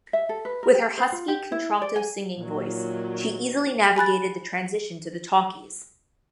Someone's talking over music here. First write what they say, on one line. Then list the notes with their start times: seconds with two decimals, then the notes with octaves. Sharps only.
With her husky contralto singing voice she easily navigated the transition to the talkies.
0.13 E5
0.29 A4
0.45 B4
0.63 A#4
0.75 G4
0.98 C5
1.12 F4
1.28 G4
1.52 E4
1.82 D5
1.96 G#5
2.39 A#2 D#3 F#3
3.96 G#5 B5 F#6 A6